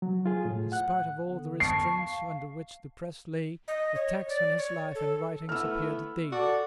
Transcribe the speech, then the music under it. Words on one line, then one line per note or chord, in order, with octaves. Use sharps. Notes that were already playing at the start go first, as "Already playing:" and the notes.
In spite of all the restraints under which the press lay, attacks on his life and writings appeared daily.
F#3
F4 G#4
A2
F#5 F#6
D3 B3
A5 C#6 C7
F5
D#5
C#5
D5
C#5
A4
A3 B3 E4 E6 F6
F#4 A4 D5